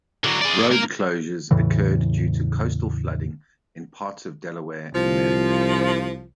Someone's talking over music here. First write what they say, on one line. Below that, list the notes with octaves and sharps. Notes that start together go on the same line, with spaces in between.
Road closures occurred due to coastal flooding in parts of Delaware and Maryland.
D3 F#3
G#4 D5
A#3 A#4
E2 A2 C#3 E3
C2 F3